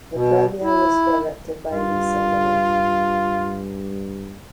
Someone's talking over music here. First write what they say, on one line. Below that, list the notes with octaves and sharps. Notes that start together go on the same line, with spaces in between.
The premiere was directed by Leigh Silverman.
B2
E4
G2 F4